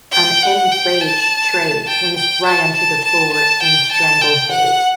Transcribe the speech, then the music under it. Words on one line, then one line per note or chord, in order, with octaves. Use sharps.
An enraged Trey pins Ryan to the floor in a stranglehold.
G5
F#5
G5
A5
G5
G5
A5
A5
A5
A5
G5
A5
G5
F#5